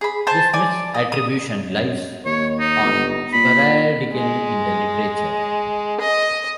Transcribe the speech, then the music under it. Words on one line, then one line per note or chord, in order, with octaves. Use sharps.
This misattribution lives on sporadically in the literature.
G#4 B5
C5 G#5 A5
D5 G#5
D#5
D#6
F#2
D#2 C#5
D#4
G1
A#2 B5
G#3
D#5